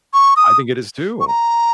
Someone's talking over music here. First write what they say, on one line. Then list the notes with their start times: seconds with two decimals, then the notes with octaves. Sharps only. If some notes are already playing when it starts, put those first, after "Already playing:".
I think it is too.
0.14 C#6
0.36 D#6
1.21 C#6
1.28 A#5